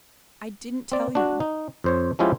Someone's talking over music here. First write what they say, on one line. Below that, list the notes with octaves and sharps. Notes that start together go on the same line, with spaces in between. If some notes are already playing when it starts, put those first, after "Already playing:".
I didn't tell you.
C4 D5
D4 F#4
D#4
F2 C5 C#5
F3 G#3 C#4 E4 F4 G4